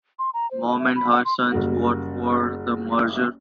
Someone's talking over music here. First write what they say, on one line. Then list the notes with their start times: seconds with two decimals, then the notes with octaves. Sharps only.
Mom and her sons vote for the merger.
0.19 C6
0.34 A#5
0.51 C5
0.66 D#5
0.79 E5
0.96 B5
1.12 F#5
1.25 C6
1.51 F#1 G3 A#3 F#4